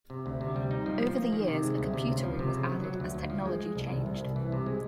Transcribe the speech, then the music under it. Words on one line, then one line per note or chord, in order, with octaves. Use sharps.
Over the years, a computer room was added as technology changed.
C3
D2
C3
G3
D#4
F3
F3
A#3
D#3
C3
G#3
D2
C3
C#2
F3
C3
C#3
F#3
F#3
D2
D2
F3
G#3
G#3
C2
C2
C2
C2
E3
C3
G#3